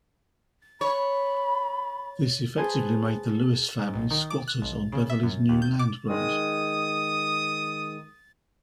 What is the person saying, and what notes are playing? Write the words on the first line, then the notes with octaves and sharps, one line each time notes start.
This effectively made the Lewis family squatters on Beverley's new land grant.
C#5 B5
G#4 B4 C5 G#5 A5
G#2
B1
D#3
D6
F#6
B1
C#3
E5
F#2
D#2
G6
D6
D#3 G#3 D#6